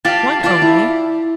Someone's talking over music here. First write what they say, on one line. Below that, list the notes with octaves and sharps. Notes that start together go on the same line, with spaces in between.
"One only?"
F4 G4 D5 F5 A5
F4 G4 D5 F5 A5
E4